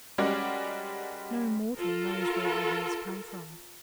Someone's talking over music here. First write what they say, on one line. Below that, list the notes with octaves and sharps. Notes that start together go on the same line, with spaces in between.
No mortal knows where ideas come from.
G3 G#3 C#4 F#4 A#4 D5
F4 A4 A#4